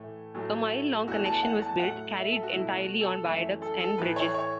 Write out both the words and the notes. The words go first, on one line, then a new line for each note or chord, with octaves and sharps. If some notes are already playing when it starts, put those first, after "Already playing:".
A mile-long connection was built, carried entirely on viaducts and bridges.
Already playing: A2 E3 A3
A2 F#3 A3
E2 E3 A3 F#4
A5
F#5
A5
A2 F#3 A3 F#5
E5
A4
F#4
B2 F#3 A3 E4
F#4
A4
F#2 E3 A3 E5
A4
A4
A2 E3 A3 B4
C#5
C#5